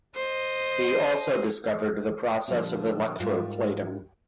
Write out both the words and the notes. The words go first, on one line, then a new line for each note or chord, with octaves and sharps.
He also discovered the process of electroplating.
C5 D#5
A#2 D3 E3 F3 G3 C4
G#2 G3 F4 A#4 E5